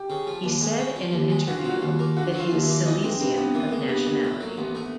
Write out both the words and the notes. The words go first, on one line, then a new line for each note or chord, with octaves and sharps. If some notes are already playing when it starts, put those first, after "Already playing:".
He said in an interview that he is Silesian of nationality.
Already playing: G4
C#3
F3
D#2
G#3
C#3
F3
D#2
G#3
D3 F#4
F4
F#3 F#4
D#2 F4
A#3
D3 F#4
F#3
F4
D#2
E4
A#3
E3 D#4
G#3 C4
G2 C4
G2 B3
E3 A#3
G#3 A#3
G2 B3
G2 A#3
A2 A3
F#3 A#3
A1 B3
A3 B3